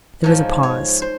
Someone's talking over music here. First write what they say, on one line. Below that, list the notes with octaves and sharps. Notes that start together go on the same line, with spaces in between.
There was a pause.
G#2 F3 C#5
C#5
C5